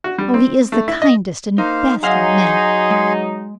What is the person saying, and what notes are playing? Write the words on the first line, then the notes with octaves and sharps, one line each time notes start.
Oh, he is the kindest and best of men!
F#4
G3
C4
A3
E4
D#5
A#3 D#4 C5 F5
F#3 D#4 G#4 D#5 F5 F#5 C6
G#3